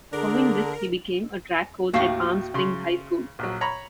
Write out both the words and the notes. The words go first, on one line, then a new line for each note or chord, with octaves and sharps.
Following this he became a track coach at Palm Springs High School.
D3 D4 G#4 A#4
D#2 A2 F#4 E5 F5
C#3 C6
A#1 F#3
C#5 A#5 B5